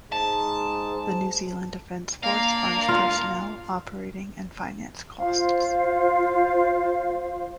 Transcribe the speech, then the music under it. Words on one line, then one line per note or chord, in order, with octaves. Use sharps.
The New Zealand Defence Force funds personnel, operating and finance costs.
G#2 A5
A#3 D4 F5
F4
F4 C5 F5